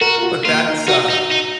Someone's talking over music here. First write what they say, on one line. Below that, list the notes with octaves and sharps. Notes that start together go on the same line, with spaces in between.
but that's, uh
F#4 A#4
F4
F#4
A#3 F4
D#4
D#4 F#4
D#4
D#4